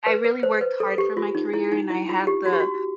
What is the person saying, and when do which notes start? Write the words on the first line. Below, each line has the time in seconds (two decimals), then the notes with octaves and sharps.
I really worked hard for my career, and I had the
0.06 B4
0.25 B4
0.43 C5
0.61 B4
0.80 A4
0.98 G4
1.17 F4
1.35 D#4
1.53 E4
1.72 D#4
1.90 E4
2.09 F4
2.27 G4
2.45 F#4
2.53 G4
2.60 F#4